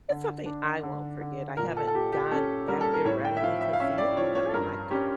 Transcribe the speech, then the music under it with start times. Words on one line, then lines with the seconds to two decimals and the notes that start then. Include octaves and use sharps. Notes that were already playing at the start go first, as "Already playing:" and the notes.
it's something I won't forget, I haven't gone back there readily to see it, but I liked it.
0.10 D3
0.46 D4
0.83 D3
1.21 D3
1.57 A#2 A#4
1.77 A4
1.88 A4
1.94 A#2 G4
2.13 G4
2.31 C#4 A4
2.68 G3 A#4
2.81 A4
2.94 A#4
3.05 A2 C#5
3.25 G5
3.37 E5
3.43 F3 F5
3.61 E5
3.73 F5
3.80 C#4 E5
3.98 D5
4.17 F3 C#5
4.35 C#5
4.54 G2 A#4
4.91 C#4 G4